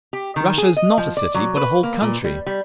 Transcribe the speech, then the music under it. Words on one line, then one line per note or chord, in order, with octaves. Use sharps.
Russia is not a city, but a whole country....
G4
D#3
G#4
D#5
F3
D5
F#3
B4
A#3
A#2
G3
G3